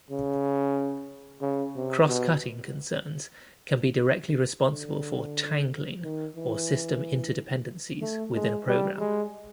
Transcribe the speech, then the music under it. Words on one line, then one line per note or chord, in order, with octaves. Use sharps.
Cross-cutting concerns can be directly responsible for "tangling", or system inter-dependencies, within a program.
C#3
C#3
C3
B2
D3
D#3
E3
A3
G#3
G3
G#3